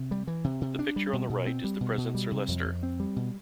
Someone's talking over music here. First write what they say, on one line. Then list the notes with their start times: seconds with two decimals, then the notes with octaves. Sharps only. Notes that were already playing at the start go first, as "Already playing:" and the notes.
The picture on the right is the present Sir Leicester.
Already playing: C3
0.11 G3
0.27 E3
0.44 C3
0.61 C3
0.79 D4
0.96 G3
1.13 B2
1.29 B2
1.46 C4
1.64 G3
1.81 B2
1.98 B2
2.15 G3
2.32 C3
2.48 F2
2.65 F2
2.83 C4
3.00 G3
3.16 B2